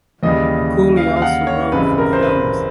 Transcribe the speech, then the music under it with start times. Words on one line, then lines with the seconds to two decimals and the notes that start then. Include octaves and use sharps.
McCulley also wrote for films.
0.23 D#2 C#3 E3 G3 D#5
0.97 F5
1.16 F5
1.22 F#5
1.47 C#5
1.72 G#1 F#2 C#3 E3 G3 B4
1.98 A#4
2.13 C5
2.23 B4